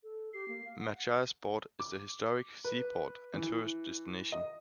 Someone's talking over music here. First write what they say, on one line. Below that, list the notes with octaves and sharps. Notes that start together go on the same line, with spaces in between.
Machiasport is a historic seaport and tourist destination.
A4
G4 C7
A#3
F5
F#5
D6
B4
E3
D#5